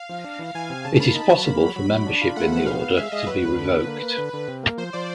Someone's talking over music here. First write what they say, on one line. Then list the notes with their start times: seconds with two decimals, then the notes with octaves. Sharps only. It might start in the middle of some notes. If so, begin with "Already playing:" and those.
It is possible for membership in the Order to be revoked.
Already playing: F5
0.09 F3
0.25 D4
0.39 E3
0.55 E3 G#5
0.70 C3
0.85 C#3 A5
1.00 A#3 B5
1.15 D#4
1.30 F#3
1.45 A#3
1.60 F#3
1.76 F#3 B5
1.90 F#3
2.06 D4
2.22 F4
2.36 A3 F#5
2.52 F3
2.66 B2 F5
2.81 B3
2.96 G#3 E5
3.12 G#3 D#5
3.27 F#3 B4
3.43 D2
3.57 D3
3.72 D3
3.87 A#3
4.02 A#3
4.18 D3
4.33 D3
4.48 C3
4.63 A#3
4.78 F3 C5
4.93 F3 D5